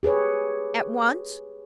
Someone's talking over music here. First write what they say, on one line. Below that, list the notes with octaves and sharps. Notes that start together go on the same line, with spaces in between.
At once!
G4 G#4 B4 C#5